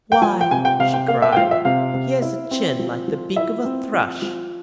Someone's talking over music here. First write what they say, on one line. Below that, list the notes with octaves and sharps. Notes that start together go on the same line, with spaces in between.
'Why!' she cried, 'he has a chin like the beak of a thrush.'
G5
F3 G#5
G5
C3 G#5
G5
C3 F5
G5
A#3 F5
E5
G5
F3 F5
E5
C3 F5
C3
E4
C4
F3
F3
E4 E5
C4
F3
F3